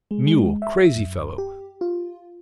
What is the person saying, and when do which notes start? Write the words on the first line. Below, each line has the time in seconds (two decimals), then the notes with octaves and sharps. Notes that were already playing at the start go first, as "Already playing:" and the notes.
Mule! Crazee fellow!
0.11 G#3
0.27 G#3
0.62 E5
0.96 F#2
1.38 G4
1.81 F4